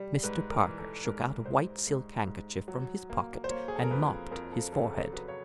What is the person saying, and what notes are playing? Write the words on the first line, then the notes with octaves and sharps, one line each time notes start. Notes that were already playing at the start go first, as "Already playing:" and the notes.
Mr. Parker shook out a white silk handkerchief from his pocket and mopped his forehead.
Already playing: G3
G#2 B4
A#4
E3
A4
G#2 A#4
G#2 C5
G#2
G#2
F#3
A#3
C5
A#3 C#5
G#4
A4
A#4
F2 B4
F2 A#4
A4
C#3 A4
A4
F#3 B4
C#5